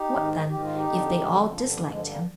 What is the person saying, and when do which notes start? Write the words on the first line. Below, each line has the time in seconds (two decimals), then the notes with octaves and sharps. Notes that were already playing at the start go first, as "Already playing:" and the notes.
"What, then, if they all disliked him?"
Already playing: D#4 G4
0.14 G#2 D#3
0.49 G#2 D#3 G4
0.62 F4
0.74 D#4 G4
0.84 F2 D3
1.20 F2 D3
1.53 G2 D4 F4
1.59 D3
1.71 F3
1.80 G3
1.88 G2 D3 F3 G#3
2.06 G3 A#3